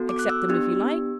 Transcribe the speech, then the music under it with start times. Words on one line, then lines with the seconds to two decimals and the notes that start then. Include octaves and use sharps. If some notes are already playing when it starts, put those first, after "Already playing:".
Accept them if you like.
Already playing: B3 F#4 A4
0.09 D6
0.19 F#6
0.30 E6
0.49 B3 D4 G4